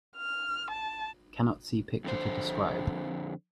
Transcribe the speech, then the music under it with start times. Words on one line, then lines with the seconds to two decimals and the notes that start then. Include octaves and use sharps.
Cannot see picture to describe.
0.17 F6
0.70 A5
2.04 F2 D3 C5